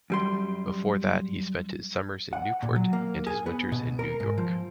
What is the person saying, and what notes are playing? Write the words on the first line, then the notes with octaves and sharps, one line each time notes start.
Before that he spent his Summers in Newport and his Winters in New York.
F#2 G3 C6
F#5
A#2
F#3
A#3
G#4
B3
B2
A#4
G#2
F3